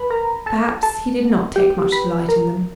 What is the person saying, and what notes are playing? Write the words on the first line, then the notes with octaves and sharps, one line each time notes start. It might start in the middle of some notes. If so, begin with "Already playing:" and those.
Perhaps he did not take much delight in them.
Already playing: B4 A5 B5
A#4 A#5
A4 A5
A4 A5
G4 G5
B4 B5
A#4 A#5